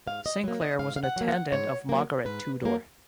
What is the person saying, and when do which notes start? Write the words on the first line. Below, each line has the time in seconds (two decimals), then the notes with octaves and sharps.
Sinclair was an attendant of Margaret Tudor.
0.07 G#2 F5
0.26 D#5
0.44 F#3 A#3
0.61 D#5
0.79 G#2 F5
0.96 F5
1.04 F#5
1.16 F#3 A#3
1.29 F#5
1.52 G#2 C#5
1.89 F#3 A#3
2.25 G#2 B4
2.62 F#3 A#3